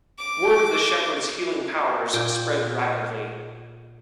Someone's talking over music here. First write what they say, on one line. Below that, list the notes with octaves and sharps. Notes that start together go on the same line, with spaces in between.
Word of the shepherd's healing powers spread rapidly.
D6
A#2 G5